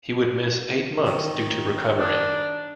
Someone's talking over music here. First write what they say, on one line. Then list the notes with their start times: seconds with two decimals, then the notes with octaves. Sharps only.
He would miss eight months due to recovery.
1.06 D#3
1.98 D4